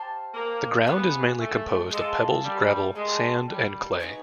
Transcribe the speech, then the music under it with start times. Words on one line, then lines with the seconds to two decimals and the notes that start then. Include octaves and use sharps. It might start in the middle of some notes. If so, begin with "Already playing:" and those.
The ground is mainly composed of pebbles, gravel, sand and clay.
Already playing: G4 C5 F5 A5
0.34 A#3
0.87 B3 D4 F4 G#4
1.40 A3
1.91 G#3 A#3 C#4 F4 A4
2.44 G3
2.95 G#3 A#3 D4 G4
3.47 G3
4.00 B3 D#4 G#4 C#5